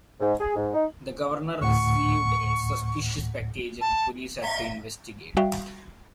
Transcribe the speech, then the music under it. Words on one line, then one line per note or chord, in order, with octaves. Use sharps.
The governor received a suspicious package and the police had to investigate.
G#2
G#4
G#2
D#4
D2 A2 F#5 C#6
A5
G3 F#4 E5 F5 G5